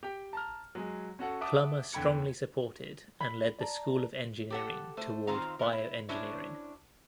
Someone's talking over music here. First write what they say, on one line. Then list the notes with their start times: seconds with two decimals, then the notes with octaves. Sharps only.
Plummer strongly supported and led the School of Engineering toward bioengineering.
0.03 G4 G5
0.33 A5 A#5 F6
0.75 F#3 G#3 G#4
1.19 C#4 F#4 A4 F#5
1.41 E5 F#5 A5 D6 D#6
1.93 E2 D3 G5 B5 G#6 C#7
3.21 B5
3.59 D5 A5 A#5
4.50 G4 A4 F#5
4.97 A3 C5
5.27 D#3 C4 F4 C5 F5 A#5
5.59 B3 A#4
5.72 E4
6.09 C#4 D4 E4 F#4 C5 C#5